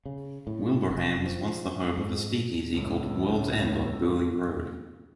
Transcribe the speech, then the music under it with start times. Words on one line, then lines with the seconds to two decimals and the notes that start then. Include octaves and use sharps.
Wilbraham was once the home of a speakeasy called "Worlds End" on Burleigh Road.
0.06 C#3
0.47 A2
0.91 F1
1.26 F3
1.98 G#2
2.73 C#2 A2